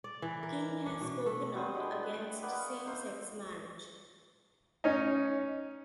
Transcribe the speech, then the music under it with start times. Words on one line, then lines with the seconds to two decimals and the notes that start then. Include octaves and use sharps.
King has spoken out against same-sex marriage.
0.04 D5
0.22 E3
0.43 A#4
0.86 D4
1.01 B2
1.26 A3
1.54 F#3 G3 C5 D#6
1.74 G#3 D4 E4 G5
2.03 B4
2.42 A#3 B3 D6
2.59 F5 C#6
2.85 D#4 C5 E5
4.84 C#4 D#4